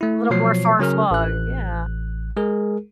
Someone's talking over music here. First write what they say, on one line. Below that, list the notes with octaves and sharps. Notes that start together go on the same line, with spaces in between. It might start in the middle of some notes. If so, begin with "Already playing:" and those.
A little more far-flung, yeah.
A3 E4
B2 F3 F#3 C#5 C7
C#3 F#3 C#4 A#4 F6
A1 F#6
G#3 G#4 A#4